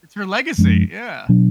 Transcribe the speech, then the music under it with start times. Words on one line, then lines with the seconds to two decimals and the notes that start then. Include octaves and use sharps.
It's her legacy, yeah.
0.58 F#2 F3 G#3 D4
1.29 B2 F#3 D4